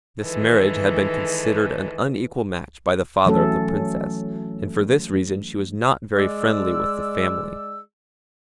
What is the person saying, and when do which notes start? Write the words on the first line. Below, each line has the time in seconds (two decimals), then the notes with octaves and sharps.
This marriage had been considered an unequal match by the father of the Princess, and for this reason she was not very friendly with the family.
0.23 D#3 E3 G#3 A4
3.26 E3 F#3 A3 C#4 A4
6.17 G#3 D5 E6